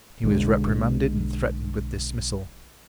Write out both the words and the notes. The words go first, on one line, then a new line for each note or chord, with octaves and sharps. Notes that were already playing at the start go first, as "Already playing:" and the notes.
He was reprimanded, and threatened with dismissal.
B1 D3 D#3 G#3